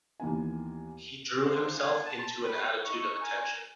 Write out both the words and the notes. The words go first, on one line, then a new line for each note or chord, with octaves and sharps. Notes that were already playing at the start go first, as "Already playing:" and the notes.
He drew himself into an attitude of attention.
D#2 E3 A#3 B3 G#5
D4 E4 C5 F5 C6
G#3 B3 F4 F#5 G#5
A5
B4
D#4 E4 C#6
A#4 G#5